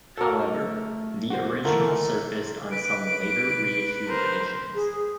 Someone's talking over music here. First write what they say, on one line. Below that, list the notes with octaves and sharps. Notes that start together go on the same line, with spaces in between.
However, the original surfaced on some later reissue editions.
F#4 A4 A#4
A3
F#4 C5
A3 F4 A#4 F#5
B4 D7
A#4 C5
G#4